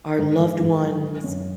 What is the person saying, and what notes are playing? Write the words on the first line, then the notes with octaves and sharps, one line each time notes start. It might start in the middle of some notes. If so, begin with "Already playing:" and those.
our loved ones
G#2 A#4
G#2
G#2
F#3
D3
F#2